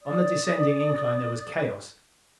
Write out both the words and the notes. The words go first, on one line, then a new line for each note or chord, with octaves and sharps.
On the descending incline there was chaos.
D5 D#6